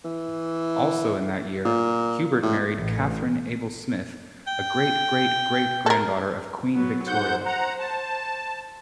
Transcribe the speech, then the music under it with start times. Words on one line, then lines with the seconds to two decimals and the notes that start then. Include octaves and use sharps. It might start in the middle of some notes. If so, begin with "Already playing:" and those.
Also in that year, Hubert married Katherine Abel Smith, a great-great-great-granddaughter of Queen Victoria.
0.05 E3
1.65 A#2
2.43 A2
2.76 A1
4.47 G5
5.86 A4 A#4
6.75 F#3 B3
7.07 G#2 C5 F#5 G6
7.46 F#5 A#5
7.80 A5